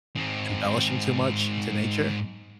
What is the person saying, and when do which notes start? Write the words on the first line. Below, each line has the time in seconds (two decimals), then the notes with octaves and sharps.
embellishing too much into nature?
0.16 G#2 C4